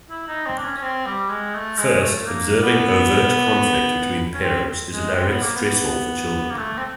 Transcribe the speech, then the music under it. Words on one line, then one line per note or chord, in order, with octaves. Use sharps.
First, observing overt conflict between parents is a direct stressor for children.
E4
D#4
C4
D4
C#4
C#4
C4
G3
G#3
A3
G#3
A3
A#3
B3
C#4
C4
G#3
C4
B3
A#3
B3
A#3
A3
C4